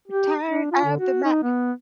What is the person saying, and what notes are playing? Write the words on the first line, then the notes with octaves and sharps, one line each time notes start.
Return of the Mac.
G4
D4
F4
D3
F#4
D#4
B3